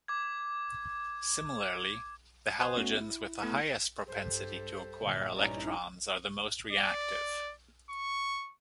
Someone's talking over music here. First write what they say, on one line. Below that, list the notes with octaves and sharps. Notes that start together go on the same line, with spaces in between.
Similarly, the halogens with the highest propensity to acquire electrons are the most reactive.
D6 G#6
C5 G#5 C6 D#6 F#6
A3 B3 C#4 F#4
E4
A3 B3 E4
G2 G4 A4 C5
G2 A#2 D3
A#1 G2 C#4 D#4 E4 D5 A#5
D5
C#6